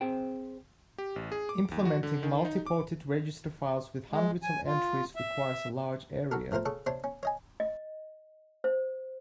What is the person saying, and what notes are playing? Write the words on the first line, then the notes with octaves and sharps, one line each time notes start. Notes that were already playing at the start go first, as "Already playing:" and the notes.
Implementing multiported register files with hundreds of entries requires a large area.
C4 G#4 C5 G5
G4
A1
G#4
D6
D#2
F#4
D3
D#3
D#4
D6
G#3
G#5
F4
E5
F#4 A4 A#4
F3 A3 F4 A#4 C5
C#3 A4 C#6 D6
C3 D4 C5 C#5 C6 D6
C#4
C#5 D#5 G#5
D#5
C5